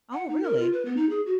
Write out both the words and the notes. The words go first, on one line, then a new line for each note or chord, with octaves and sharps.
Oh, really?
F#5
D#4
A#4
F4
B4
B3
D#4
G#4
F#4